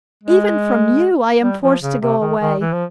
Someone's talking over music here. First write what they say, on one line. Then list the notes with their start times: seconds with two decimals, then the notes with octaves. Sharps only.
Even from you I am forced to go away.
0.23 G#3
1.42 G3
1.62 F3
1.82 C#3
2.01 C3
2.20 D#3
2.40 D#3
2.60 E3
2.73 F3